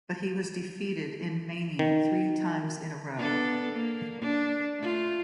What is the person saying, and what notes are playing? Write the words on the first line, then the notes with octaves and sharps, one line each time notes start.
But he was defeated in Mani three times in a row.
D#3
B3 D4 A4
A#3
D4
A3 F4